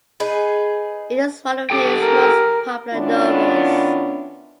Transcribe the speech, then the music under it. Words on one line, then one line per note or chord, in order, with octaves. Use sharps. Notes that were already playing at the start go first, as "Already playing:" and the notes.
It is one of Heyer's most popular novels.
D#4 G#4 B4
G4 A4 G5
A#4
D#3 B3 C#4 D4 E4 F4